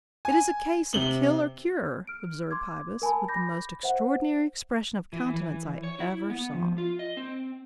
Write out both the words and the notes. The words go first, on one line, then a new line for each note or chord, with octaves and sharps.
"It is a case of kill or cure," observed Pybus, with the most extraordinary expression of countenance I ever saw.
G#5
C3 F#7 G7
F6 D7
C6 D6 G#6
A#4 G#5 A5 B5
B5 D6 G6 A#6
C5 E5 F#5
E3
E3
C#5
E4
B3
F3
F4
D#5
C4